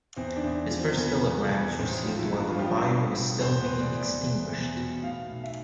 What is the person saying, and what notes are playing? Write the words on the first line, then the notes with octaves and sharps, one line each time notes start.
His first telegram was received while the fire was still being extinguished.
E2 C4
D4
E2
F3
C4
E2 B3
E2
E2
A1 C4
F3
E4
G2
F4
F3 G4
F3
A4
A1
E2 C5
B4
E2
D5
E2
D5
E2
E2
B2
A2 F5
B1
E5